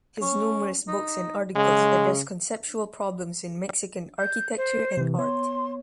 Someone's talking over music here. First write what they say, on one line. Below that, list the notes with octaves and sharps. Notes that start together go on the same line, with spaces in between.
His numerous books and articles addressed conceptual problems in Mexican architecture and art.
C#4
D#4
C#3 G#3
G6
C5
C3 E3
B3 C#5 C6